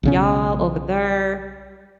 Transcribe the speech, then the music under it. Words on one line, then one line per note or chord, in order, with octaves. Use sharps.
"Y'all, over there."
B1 C#3 C#4